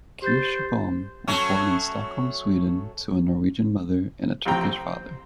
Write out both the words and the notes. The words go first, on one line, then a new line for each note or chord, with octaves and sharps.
Kirsebom was born in Stockholm, Sweden, to a Norwegian mother and a Turkish father.
G4 C5 G6 A6
F#3 A3 C#4
A1 F2 C3 C4 G5 A#5
C5